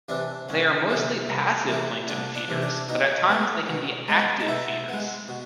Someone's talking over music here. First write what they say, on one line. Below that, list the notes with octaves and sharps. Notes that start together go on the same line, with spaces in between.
They are mostly passive plankton feeders, but at times they can be active feeders.
C3 E3 D4
C2 C#4
C3 E3
C2
C3 E3
C2 D4
D4
C3 E3
D4
B2 D#4
G#3 B3
B2
G#3 B3
D#4
B2 E4
G#3 B3
B2